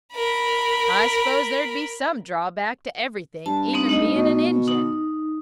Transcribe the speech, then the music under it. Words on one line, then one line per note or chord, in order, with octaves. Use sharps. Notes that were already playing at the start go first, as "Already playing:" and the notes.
"I suppose there'd be some drawback to everything, even being an Injun."
A#4 B5
G2 A5
A#3 C4 D#4
A3 D#4 D#5
B2
D#4